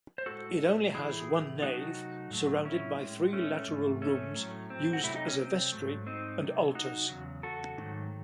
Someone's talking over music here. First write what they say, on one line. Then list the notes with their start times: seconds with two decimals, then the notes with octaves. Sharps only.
It only has one nave, surrounded by three lateral rooms used as a vestry and altars.
0.18 C5
0.26 A2 G#3 F#4 A4
0.94 A2 E3 A3 E4 G#4
1.62 C3 F#3 A3 D#4 F#4
2.31 A2 F#3 A3
2.65 C#4 E4
2.99 A2 G#3
3.33 A3 C#4
3.68 G#2 E3 A3
4.02 A3 C#4
4.36 A2 F#3 A3
4.70 C4
4.93 F#4
5.04 C3 F#3 A3 E4
5.16 D#4
5.28 C#4
5.39 C4
5.72 G#2 F#3 A3
6.07 C4 D#4
6.41 C3 F#3 A3
6.75 D#4 F#4
7.09 E2 C#3 F#3
7.43 F#4 A4
7.77 G#2 D#3 F#3 A3